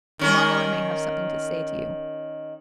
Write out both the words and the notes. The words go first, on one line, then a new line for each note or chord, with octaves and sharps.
To-morrow I may have something to say to you....
D#3 C#4 A#4